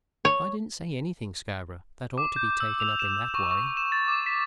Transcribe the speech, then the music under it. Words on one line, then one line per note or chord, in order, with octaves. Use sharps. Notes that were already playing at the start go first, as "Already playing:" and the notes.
"I didn't say anything, Scarborough, that ought to be taken up in that way."
C#5
D6
G6
E6
F7
E7
C#6
C#6
E7
A6
D6
B6